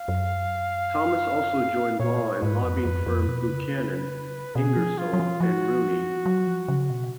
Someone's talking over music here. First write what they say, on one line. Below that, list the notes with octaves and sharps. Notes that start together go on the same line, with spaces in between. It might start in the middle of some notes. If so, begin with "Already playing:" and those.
Thomas also joined law and lobbying firm Buchanan, Ingersoll and Rooney.
Already playing: F5
F#2
A#2 C#5
G#2 B4
F2
F2
F2
B2
C#3
B2 G#4
F3
F4
F#3
F3
F3 F#4
F#3
F3
C#3
B2